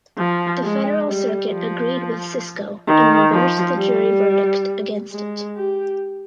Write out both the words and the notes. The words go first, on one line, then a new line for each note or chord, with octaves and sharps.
The Federal Circuit agreed with Cisco and reversed the jury verdict against it.
F3
G#3
G3
F3
D#3
F3
G3
G#3
G4